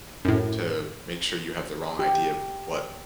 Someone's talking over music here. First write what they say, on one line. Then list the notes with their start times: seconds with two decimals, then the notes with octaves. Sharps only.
to make sure you have the wrong idea of what
0.25 F#2 A2
1.99 G4